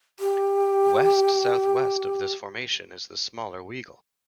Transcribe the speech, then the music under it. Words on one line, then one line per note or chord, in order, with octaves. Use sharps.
West-southwest of this formation is the smaller Weigel.
G4